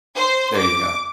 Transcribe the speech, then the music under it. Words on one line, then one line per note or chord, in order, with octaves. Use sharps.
There you go.
C5
D6